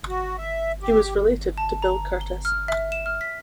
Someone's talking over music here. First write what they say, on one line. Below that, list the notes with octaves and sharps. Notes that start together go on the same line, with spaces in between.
He was related to Bill Kurtis.
F#4
E5
G4
A5
A#5
G7
F6
E5
E7
F6
B6